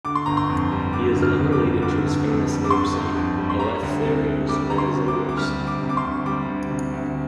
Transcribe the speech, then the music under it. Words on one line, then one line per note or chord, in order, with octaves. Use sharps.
He is unrelated to his famous namesake, Eleftherios Venizelos.
D3 D6
C6
G1 A#5
C6
F2
G3
D3 D6
G1
F6
F2
D6
G3
D3 D6
G1
F2
G3
D6
D3 C6
G1
F2
G3
C6
G3 A#5
D2
C3
D2
G3 D6
D2 A#5
C6
C3
D6
D2
D6
G3 F6
D2
D6
C3
D6
C6
D2
G3 D6
D2
C3
D2